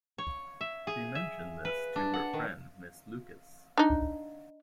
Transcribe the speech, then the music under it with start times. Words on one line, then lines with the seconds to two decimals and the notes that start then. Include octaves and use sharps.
She mentioned this to her friend Miss Lucas.
0.18 C#5
0.61 E5
0.87 G#4
1.15 E5
1.65 B4
1.96 D4
2.14 F#5
2.33 D#3
3.78 D4 D#4